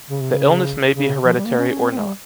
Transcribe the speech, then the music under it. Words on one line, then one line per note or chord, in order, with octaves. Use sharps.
The illness may be hereditary or not.
C#3
C3
C#3
C#3
F3
G3
A#3
C#4
C#4
C4
C4
G#3
G3